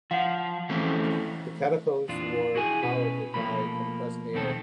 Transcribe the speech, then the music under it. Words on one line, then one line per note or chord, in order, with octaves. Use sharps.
The catapults were powered by compressed air.
F3 F5 F#5
E3 A3 C4 C#4
F2 A#2 E3 F3 D4 F4
E4 F#4 G#4 G#5
B2 C#4 B4
B2 F3 A3 A#3 B5
D#2 B2 D#3 A3 C4 A4